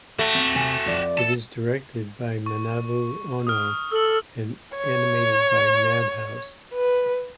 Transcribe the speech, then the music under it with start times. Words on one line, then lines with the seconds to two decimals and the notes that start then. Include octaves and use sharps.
It is directed by Manabu Ono and animated by Madhouse.
0.19 A3 F#4 G5
0.35 C4
0.55 C3 G#5
0.86 F2 D5
1.18 A4 A5
2.46 C#6
3.47 D#6 F6
3.92 A4 E6 F#7
4.77 C#5
6.74 B4